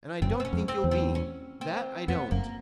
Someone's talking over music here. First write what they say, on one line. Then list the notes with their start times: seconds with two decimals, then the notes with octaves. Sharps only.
And I don't think you'll be. That I don't.
0.22 F#1 F#2 C4
0.40 C4
0.45 C#4
0.53 F2
0.68 C4
0.84 E2
0.91 C4
1.15 C#4
1.61 C4
2.08 F2 B3
2.31 F#1 F#2 A#3